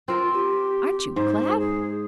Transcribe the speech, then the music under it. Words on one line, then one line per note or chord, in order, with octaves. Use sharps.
Aren't you glad?
C4 F4 A#4
G4
G#2 C5
G#4